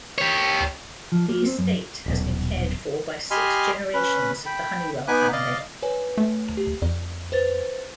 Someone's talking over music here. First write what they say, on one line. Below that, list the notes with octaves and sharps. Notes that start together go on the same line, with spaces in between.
The estate has been cared for by six generations of the Hunnewell family.
G4 C#5
F3
A#3
C4
F#2
D#1 B1
G4 D#5 G#5 B5 C6 F6
C#4 B4 B5
G5 B5
B3 D#4 G#5 B5 D6 F#6
D5 D#5 F5
B4 C#5 G#5
A3
G4
F2 D5
B4 C5 A6